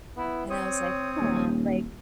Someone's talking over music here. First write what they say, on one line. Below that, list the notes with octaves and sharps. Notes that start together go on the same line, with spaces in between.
and I was like, "Huh," like,
B3 E4
C4 C#5 D#6
D#1